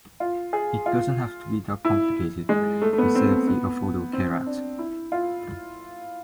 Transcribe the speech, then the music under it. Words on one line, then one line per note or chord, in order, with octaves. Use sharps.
It doesn't have to be that complicated, he said of the Affordable Care Act.
F4
G#4
F4
E4
G#3
A3
A3
B3
C4
B3
C4
D4
E4
F4